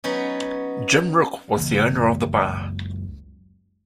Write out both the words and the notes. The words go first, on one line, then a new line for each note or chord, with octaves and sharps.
Jim Rook was the owner of the bar.
F#3 B3 C#4 D#4
F#1 C#2 E3 A#3